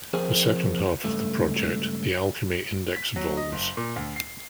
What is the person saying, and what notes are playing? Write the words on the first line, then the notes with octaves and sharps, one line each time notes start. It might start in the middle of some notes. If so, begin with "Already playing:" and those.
The second half of the project, The Alchemy Index Vols.
F2 G#4 A#4 C5 G5
C#2 G2 A3
B6
F#3
D#5
F#1
A#2
D2
C7